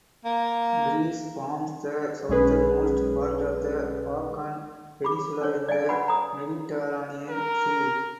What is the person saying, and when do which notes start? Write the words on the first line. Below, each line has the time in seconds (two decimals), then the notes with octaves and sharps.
Greece forms the southernmost part of the Balkan peninsula in the Mediterranean Sea.
0.25 A#3
2.29 B1 G#3 C#4 G#4 B4
5.04 B5 D6
5.41 D4 C5 C#5
5.69 D5 D#5 F5 G#5
5.89 F#4 B4 C#5 F#5 G#5 B5
6.08 A#5 D#6
7.29 A#4